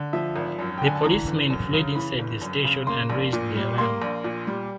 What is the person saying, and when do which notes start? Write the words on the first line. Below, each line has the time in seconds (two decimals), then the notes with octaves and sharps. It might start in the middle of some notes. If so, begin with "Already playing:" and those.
The policemen fled inside the station and raised the alarm.
Already playing: D3
0.13 F3 E5
0.36 G#1
0.59 F#2
0.78 G5
0.82 D3 G#5
0.95 A5
1.04 E3 A#5
1.27 G1
1.50 F#2
1.73 C#3
1.95 E3 B5
2.19 G1
2.42 F#2
2.64 C#3
2.87 A#3 C6
3.10 A#1
3.33 A#2
3.55 G3
3.78 A#3 C6
4.02 A#1
4.24 A#2
4.47 G3